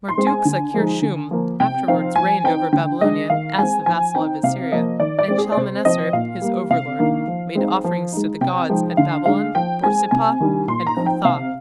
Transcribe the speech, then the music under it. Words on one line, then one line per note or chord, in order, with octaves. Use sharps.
Marduk-zakir-shum afterwards reigned over Babylonia as the vassal of Assyria, and Shalmaneser, his overlord, made offerings to the gods at Babylon, Borsippa, and Cuthah.
C6
G#3 C4
G#5
D3
F3 G#3 D#4
D3
F3 A#3
C3 G5
F3 C4 D#4 F5
F3 G#5
C4 D#4 G5
D3 G5
G#3 D4 D#5
D#3 F5
G#3 C4 G#5
F3 G#5
C4 D#4 G5
C3 F5
F3 A#3 D#5
D#3 D5
D5
G#3 C4
G#4
D5
C3 C5
F3 C4 D#5
A#2 F5
G3 A#3
C3 F5
D#3 A#3 D4
F3
G#3 C4 D#4
F3
G#3 D#4
C3 G5
F3 G#3 D#4
D3 F5
G#3 D4 F5
F3 G5
G#3 C4 G#5
C3 G#5
D#3 G3 D4
A#2 C6
A#5
F3 C4 D#4
G5
C3 F5